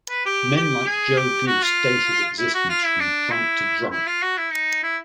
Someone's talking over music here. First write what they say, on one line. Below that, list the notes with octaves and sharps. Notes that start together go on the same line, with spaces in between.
Men like Joe Goose dated existence from drunk to drunk.
B4
G4
G4
G#4
G4
F#4
F4
E4
F#4
F4
E4
D4
E4
E4
F4
F#4
E4
D#4
E4